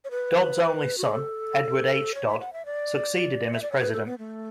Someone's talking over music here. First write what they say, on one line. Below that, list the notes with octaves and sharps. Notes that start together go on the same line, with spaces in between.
Dodd's only son, Edward H. Dodd, succeeded him as president.
C#5
B4
F#4
G#4
A4
C#5
E5
F#5
E5
D5
E5
D5
C#5
B4
A4
B3
A3